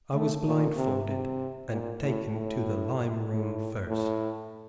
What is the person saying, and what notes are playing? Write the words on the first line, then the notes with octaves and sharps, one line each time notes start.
I was blindfolded, and taken to the lime room first.
A3
A#2
C3
C3
A#2
A2
A2
A2
A2